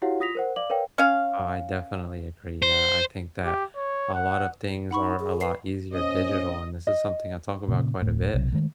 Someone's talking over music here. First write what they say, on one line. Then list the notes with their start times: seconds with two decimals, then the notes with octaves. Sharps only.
I definitely agree, yeah, I think that a lot of things are a lot easier digital, and this is something I talk about quite a bit
0.02 E4 F#4 G4 C#5 F5 F#5
0.20 F4 D#6 A#6 B6 F7
0.35 A#4 C5 F#5
0.56 D5 F5 D6 F#7
0.70 A#4 B4 C#5 F5 G5
0.98 C#4 F5
2.62 C5
3.45 G4
3.76 C#5
4.14 F#5
4.91 D#4 F#5 B5 C#6
5.20 G#4
5.41 B4 C7
5.93 A#2 C#4 C5 D#5
6.87 D#5
7.68 A#2 C#3
8.02 D1 A2
8.34 B1 C3 F#3
8.52 D#3 G#3 A3